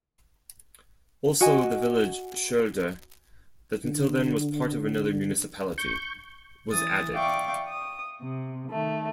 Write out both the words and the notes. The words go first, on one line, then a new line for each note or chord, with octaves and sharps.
Also the village Scheulder, that until then was part of another municipality, was added.
F#4 D#5 G#5
D3
C#6 G6
E3 D#6 A6
D5 E5 F5 G5 C#6 D6
D#6
C3
D#3 A3